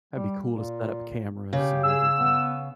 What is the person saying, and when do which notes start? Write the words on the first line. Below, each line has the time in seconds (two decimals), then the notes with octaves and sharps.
That'd be cool to set up cameras and everything.
0.13 G3
0.49 A#2
1.53 C#3 G4
1.83 G#4 E6
2.17 B3